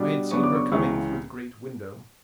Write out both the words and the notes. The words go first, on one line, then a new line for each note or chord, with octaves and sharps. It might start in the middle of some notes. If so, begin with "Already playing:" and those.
I had seen her coming through the great window.
Already playing: B2 G3 D4
C#3 F#3 B3 D4 C#6
D6
C#6
C#2 C#3 E3 C#6